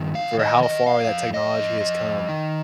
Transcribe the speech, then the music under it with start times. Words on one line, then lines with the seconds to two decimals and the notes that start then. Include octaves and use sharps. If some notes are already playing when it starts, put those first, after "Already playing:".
for how far that technology has come,
Already playing: G2 D#3
0.15 F5
0.38 D#3 D#5
0.63 D#5
0.86 F2 F5
1.34 F2 D#5
1.81 F2
2.29 D#3